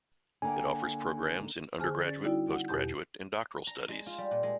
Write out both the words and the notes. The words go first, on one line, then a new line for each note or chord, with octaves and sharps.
It offers programmes in undergraduate, post-graduate, and doctoral studies.
D3 A#3 G5 G#5
D3 G#4 C5 G#5 A5 F6
C#4 D5 A6
G3 D#4 E4 F#4 D5 G5
F#5
E2 B2 G4 A5 G6
A#5
G#3
F4
G3
A#2
G#3